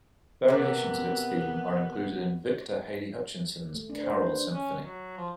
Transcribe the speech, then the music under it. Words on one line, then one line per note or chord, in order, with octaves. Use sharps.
Variations of its theme are included in Victor Hely-Hutchinson's "Carol Symphony".
C3 E3 B3 A#4
A3
D4
C5
B4
D4
C#4
F#3
F3